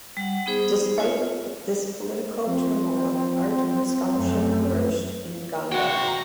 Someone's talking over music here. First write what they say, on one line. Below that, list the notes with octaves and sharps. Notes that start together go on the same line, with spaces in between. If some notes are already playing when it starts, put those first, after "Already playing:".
Despite this political turmoil, art and scholarship flourished in Gondar.
G3 F#5
B3 D#4 G#4 C5
F4 C#5
F3 C4
F#2 A3
F#4 E5 G5
A#5